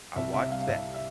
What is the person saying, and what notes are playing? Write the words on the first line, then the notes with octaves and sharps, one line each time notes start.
I watched that
C2 E5
C3 E5
G3 F5
F5
C2 E5
E5